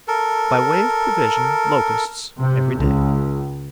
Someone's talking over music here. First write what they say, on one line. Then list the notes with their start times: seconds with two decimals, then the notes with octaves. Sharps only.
By way of provision, Locusts, every day.
0.08 A4 A#4
2.40 C3
2.78 C#2